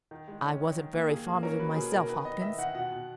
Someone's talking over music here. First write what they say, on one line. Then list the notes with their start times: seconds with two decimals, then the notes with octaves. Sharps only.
"I wasn't very fond of him myself, Hopkins."
0.11 D#3
0.28 G#3
0.44 C#4
0.61 D#3
0.77 D#3
0.94 A#3
1.10 D#3 G#4
1.27 A#3
1.43 C#4 A#4
1.59 F#3 B4
1.76 B2 G#4
1.92 B2 A#4
2.09 D#3 B4
2.25 B3 D#5
2.42 D#3 E5
2.58 D#3 F#5
2.74 B2 F#5
2.91 B2